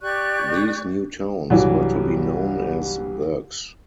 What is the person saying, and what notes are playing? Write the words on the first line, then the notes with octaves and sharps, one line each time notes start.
These new towns were to be known as Burghs.
G4 D5 C#6 F#6
C2 G2 E3 F#3